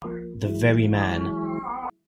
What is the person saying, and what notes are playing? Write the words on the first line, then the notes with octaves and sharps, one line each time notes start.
The very man.
F3 A#3
E3 F#3 G#3 E4